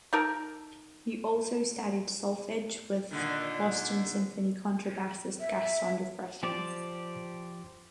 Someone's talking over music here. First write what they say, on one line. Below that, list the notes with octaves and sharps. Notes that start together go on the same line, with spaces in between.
He also studied solfege with Boston Symphony contrabassist Gaston Dufresne.
D#4 A4 A#4
A#2 D3 D#3
E5
F3 G4 D5